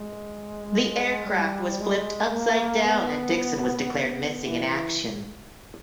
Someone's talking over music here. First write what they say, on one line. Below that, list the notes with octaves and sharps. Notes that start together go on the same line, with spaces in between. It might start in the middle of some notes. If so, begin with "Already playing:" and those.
The aircraft was flipped upside down and Dickson was declared missing in action.
Already playing: G#3
G3
G#3
A#3
B3
B3
E3